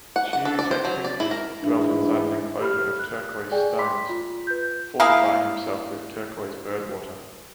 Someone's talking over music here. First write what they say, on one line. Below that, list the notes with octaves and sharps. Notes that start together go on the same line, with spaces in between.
Xiuhtecuhtli dwelt inside an enclosure of turquoise stones, fortifying himself with turquoise bird water.
F#5
F#5
A4
D5
C5
F#3
D5
E4
A#4
G#2 E3 D4 E4
G4 B5 F6
F#6
G#4 D5 G5 G#5
B5 C6 D6 B6
F4
B4 G6
A#3 E4 G#4 F5